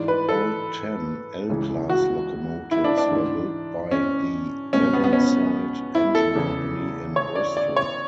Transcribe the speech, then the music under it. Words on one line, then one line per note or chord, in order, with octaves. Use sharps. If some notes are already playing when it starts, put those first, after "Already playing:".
All ten L class locomotives were built by the Avonside Engine Company in Bristol.
Already playing: G#2 E3 D5
B4
A4
C#2 C#3 E3
F#4
E4
D4
D4
G#2 E3
C#4
C#2 B2 C#4
B3
B3
C#4
E4
A4
E2 C#3 E3
C#5
D5
D5
C#5